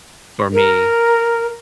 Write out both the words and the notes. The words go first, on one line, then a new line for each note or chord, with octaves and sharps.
for me,
A#4